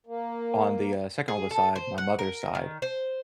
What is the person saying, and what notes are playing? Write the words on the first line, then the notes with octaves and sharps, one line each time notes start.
on the, uh, second oldest side, my mother's side,
A#3
G#4
A4
C5
F#5
A#4
D#3
C5